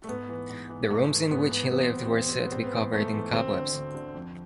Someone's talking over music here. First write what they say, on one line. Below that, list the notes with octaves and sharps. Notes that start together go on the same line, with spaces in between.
The rooms in which he lived were said to be covered in cobwebs.
A3
G#2 B3
E3
G#2
E3
G#2 A3
E3
G#2 B3
E3 B3
E2 B3
C4
B2 B3
C4
E2
B3
B2 C4
B3
G#2 C4
B3
E3
G#2 A3
E3
D2 C4
D3
D2
D3
F2